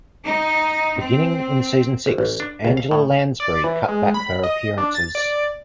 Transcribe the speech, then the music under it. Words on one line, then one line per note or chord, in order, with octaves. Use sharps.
Beginning in season six, Angela Lansbury cut back her appearances.
D#4
C4
G#1
A1
D4
C#2
F5
A2
D5
E3
G#3
B5
D#5
D4
A6
D5